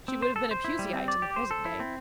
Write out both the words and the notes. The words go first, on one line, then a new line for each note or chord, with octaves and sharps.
She would have been a Puseyite in the present day.
C4
C5
A4
C5
E4
G3
C4
D5
G4
C5
A4
E4
C4